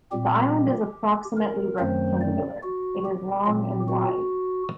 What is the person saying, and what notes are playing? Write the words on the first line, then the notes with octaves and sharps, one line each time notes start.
The island is approximately rectangular; it is long and wide.
A#2 G3 C4 G4
A#4
F#2 D#3 F#3 A3 C4 C5
D5
F#4
G4
A#2 F#3 C4
F#4